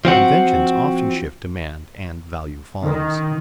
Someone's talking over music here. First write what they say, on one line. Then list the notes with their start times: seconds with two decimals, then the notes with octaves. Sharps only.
Inventions often shift demand, and value follows.
0.05 F3 C4 F#4
2.84 D#3